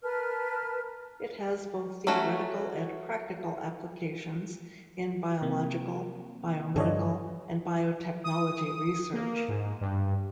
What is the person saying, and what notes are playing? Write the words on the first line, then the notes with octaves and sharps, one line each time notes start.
It has both theoretical and practical applications in biological, biomedical and biotechnology research.
A#4 B4 A5 F6
F#3 A3 C#4 F#4
C3 A#3
G2 D3 F3 A4 C#5 D#5
D#6
A#3
G#2
G2